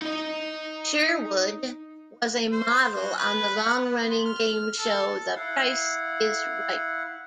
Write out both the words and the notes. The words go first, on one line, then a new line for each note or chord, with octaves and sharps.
Sherwood was a model on the long running game show "The Price Is Right".
D#4 D#5
C5
F#3
B4
F#5
B3
C6
F6
A4
E4 F5 F#5